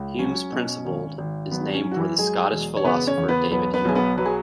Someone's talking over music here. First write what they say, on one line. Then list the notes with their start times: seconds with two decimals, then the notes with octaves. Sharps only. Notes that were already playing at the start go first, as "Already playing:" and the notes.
Hume's principle is named for the Scottish philosopher David Hume.
Already playing: C#2
0.18 F#3 C#4
0.52 B2
0.85 G#1
1.18 G#1
1.51 F#3 B3
1.74 C#4
1.84 F#2
1.92 F#4
1.96 E3 E4
2.18 F#3 G#3 G#4
2.52 E1
2.77 C#5
2.85 C#3 B3 B4
3.07 C#4 C#5
3.17 E2
3.29 B3 B4
3.51 B1 B3 B4
3.74 B3 B4
3.85 B1 G#4
3.95 B3 B4
4.18 F#3 B4
4.26 G#4